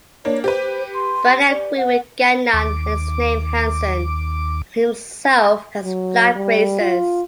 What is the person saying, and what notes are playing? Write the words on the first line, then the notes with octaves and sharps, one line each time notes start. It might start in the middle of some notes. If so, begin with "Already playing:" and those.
Bradley agreed with Gagnon and his naming Hansen and himself as flag-raisers.
A#3 D4 C#5
G4 B4 C5
C6
D5
F#5
D#2 D6
F#3
G3
F4